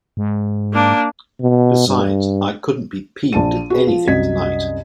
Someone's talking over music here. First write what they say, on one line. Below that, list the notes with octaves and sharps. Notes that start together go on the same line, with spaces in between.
Besides, I couldn't be peeved at anything tonight.
G#2
A#3 D4
B2
G2
A#1 A5 D#7
F#4 G#4 B4
F3
C2 F#2 D#5 G#6 B6